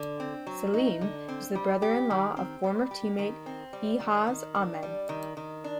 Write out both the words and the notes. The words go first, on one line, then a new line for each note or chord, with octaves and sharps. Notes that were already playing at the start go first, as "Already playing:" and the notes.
Saleem is the brother-in-law of former teammate Ijaz Ahmed.
Already playing: D3
C4
F#3
D#4
D3
C4
G3
G4
D#3
C4
G3
G4
D#3
C4
G3
D#3
D#3
D4
G3
D#3
D#3
D4